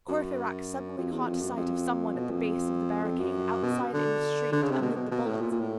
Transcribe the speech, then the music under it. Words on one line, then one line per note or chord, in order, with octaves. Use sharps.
Courfeyrac suddenly caught sight of some one at the base of the barricade, outside in the street, amid the bullets.
F#2
F2
E2
F2
F#2
F2
B2
F2
F2
F#2
B2
D3
D3
C#3
C3
B2
B2
B2
A2
A#2
A#2
A2